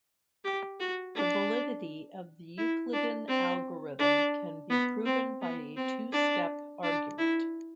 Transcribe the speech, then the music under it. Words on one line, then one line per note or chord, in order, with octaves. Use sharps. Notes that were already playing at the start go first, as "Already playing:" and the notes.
The validity of the Euclidean algorithm can be proven by a two-step argument.
G4
F#4
D4
E4
D4
C4
D4
B3
C4
B3
C4
D4
D4
E4